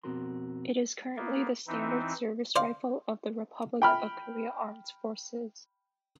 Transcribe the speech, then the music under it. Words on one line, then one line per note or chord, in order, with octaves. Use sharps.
It is currently the standard service rifle of the Republic of Korea Armed Forces.
F2 B2 C4 F#4 A#4 C6
A#3 B3
E3 C4 D#4 E4
C5 D5 F5
G5 B5 F6